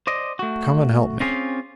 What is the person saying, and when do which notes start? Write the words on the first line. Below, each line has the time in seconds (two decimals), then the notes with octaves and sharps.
"Come and help me."
0.07 C5 D5 D#5
0.39 A3 F#4
1.20 C4 C#4 F4 G4 G#4 F5